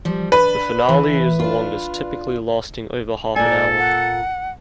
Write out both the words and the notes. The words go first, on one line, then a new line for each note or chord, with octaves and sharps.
The finale is the longest, typically lasting over half an hour.
F3 G3
D4 B4
E3
D4 F4
A#2 A4 D5 G#5
F#5